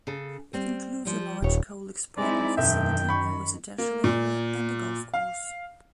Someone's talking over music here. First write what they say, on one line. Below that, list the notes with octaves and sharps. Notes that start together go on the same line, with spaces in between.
It includes a large coal exporting facility, a residential area, and a golf course.
C#3 A4
G3 C4
F3 G3
D#1 G4 C#5
G#3 C4 D#4 E4 D5
E1 F#2 D#3 E5 G5
B5 C#6
A#3
A#2
F5